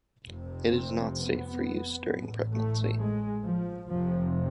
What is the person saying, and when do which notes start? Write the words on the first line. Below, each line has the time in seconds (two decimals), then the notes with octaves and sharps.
It is not safe for use during pregnancy.
0.25 F1 F2 C3
0.71 C4
1.17 B3
2.07 A1 A2
2.53 A3
2.98 G#3
3.43 F3
3.88 F1 F2 C3 F3